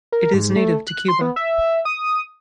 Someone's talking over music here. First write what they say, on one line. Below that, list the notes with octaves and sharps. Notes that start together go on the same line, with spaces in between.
It is native to Cuba.
A#4
G#2
A3
F#6
C6
B3
E5
D#6